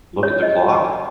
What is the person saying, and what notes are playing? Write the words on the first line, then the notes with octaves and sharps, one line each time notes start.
Look at the clock?
C#4 G4 C5 C#5
D#5